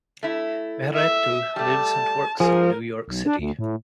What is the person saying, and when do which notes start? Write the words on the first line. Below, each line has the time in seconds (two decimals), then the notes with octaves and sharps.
Mehretu lives and works in New York City.
0.23 A3 E4
0.96 E5
1.56 G3 A3 A5
2.40 F3 G#4 A#4
3.08 B1
3.26 D4
3.39 D2
3.59 A2